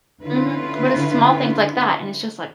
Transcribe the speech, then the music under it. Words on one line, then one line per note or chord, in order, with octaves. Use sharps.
Mhm, but it's small things like that, and it's just like,
D3 C#4 E4 F4 B4